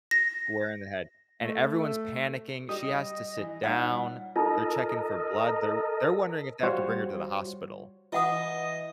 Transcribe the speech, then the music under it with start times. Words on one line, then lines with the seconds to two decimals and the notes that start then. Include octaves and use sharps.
Square in the head. And everyone's panicking, she has to sit down, they're checking for blood, they're w they're wondering if they have to bring her to the hospital.
0.11 A#6
1.41 A3
2.69 G3 D#5 D#6
3.37 E3
3.64 A#2 G3 D#4 C#5 F#5
4.36 D#4 F4 A4 A#4 D#5
6.63 G3 F4 F#4 C5 C#5
8.12 E3 E4 B4 D#5 F#5 D#6